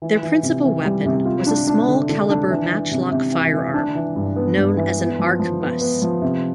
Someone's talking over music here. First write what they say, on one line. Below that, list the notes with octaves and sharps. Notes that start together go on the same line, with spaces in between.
Their principal weapon was a small calibre matchlock firearm, known as an arquebus.
E3
E3
C3
E3
G3
C3
F4
D4
D4
D3
D3
D4
E3
E3
C3
C3
E3
E3
D4
E3
G2
B3
G2
E3
B3
F3
F3
B3
B3
F3
C3